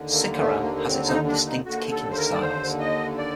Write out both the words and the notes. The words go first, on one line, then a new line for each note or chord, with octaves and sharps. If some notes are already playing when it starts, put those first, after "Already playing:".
Sikaran has its own distinct kicking styles.
Already playing: D#2 D3
A#3
A3
A#3
A#3
C4
D#4
D4
D#4
D#2 D3 F#4
A4
C5
A#4
D5
C5
D#5
D5